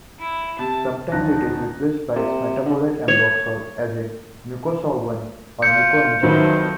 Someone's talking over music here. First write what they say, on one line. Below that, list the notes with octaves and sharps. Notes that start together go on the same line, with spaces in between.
Sometimes it is replaced by its metabolite ambroxol, as in Mucosolvan or Mucoangin.
E4
C3 A5
D2 C#4 D#4 A5 F#6 A#6
C3
D3
C#5
F4 G6 C#7
F2 D#3 F#3 E4 B4 C5